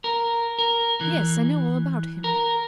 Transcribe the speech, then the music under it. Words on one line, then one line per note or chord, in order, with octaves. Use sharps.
'Yes, I know all about him.
A#4
A#4
E3
A#4